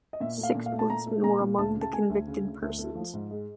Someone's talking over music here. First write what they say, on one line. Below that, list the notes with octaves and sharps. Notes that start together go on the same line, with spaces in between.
Six policemen were among the convicted persons.
D#5
A#2 E5
A3
F5
A#2
F5
A3
A5
A#2 A#5
A3
A#2 A#5
A#2
D2 A5
C#3
A5
A3 G#5
D2
C#3
D2
D2
A3
F3
G#2
G#3